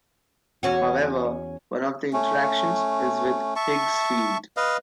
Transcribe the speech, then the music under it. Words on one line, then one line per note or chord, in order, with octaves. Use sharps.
However, one of the interactions is with Higgs field.
E2 C#4 F#4
A3 C#4
E5 A5 C#6
B4 D#5 F5